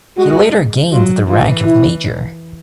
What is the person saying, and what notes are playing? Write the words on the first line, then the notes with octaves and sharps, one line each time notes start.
He later gained the rank of Major.
G#3 F#4
F#3 F4
E3 F4
E4